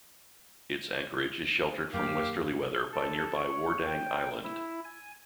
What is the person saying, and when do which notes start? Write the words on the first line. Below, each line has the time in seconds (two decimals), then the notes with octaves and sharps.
Its anchorage is sheltered from westerly weather by nearby Wardang Island.
1.93 F#2 A#3 G4 F5
2.92 A4
3.37 C#5
3.86 G5
4.44 E4
4.85 G#5